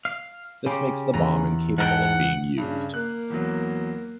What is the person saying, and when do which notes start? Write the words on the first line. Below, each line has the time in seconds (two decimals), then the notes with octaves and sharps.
This makes the bomb incapable of being used.
0.05 F5
0.66 C#3 G4 C6
1.13 E2 A#5 D#7
1.78 G#2 A#4 F#5 G5 A5
2.57 G2 C#3
2.94 A#3 F#6
3.30 E2 F#3